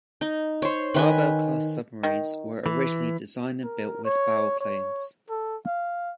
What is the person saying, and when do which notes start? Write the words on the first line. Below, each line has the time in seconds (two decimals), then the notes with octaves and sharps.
"Barbel"-class submarines were originally designed and built with bow planes.
0.21 D#4
0.62 C5 C#5
0.94 D#3 B4 G#5
2.03 D#3
2.66 E3
3.64 A#4
4.05 C#5
4.61 C#5
5.29 A4
5.66 F5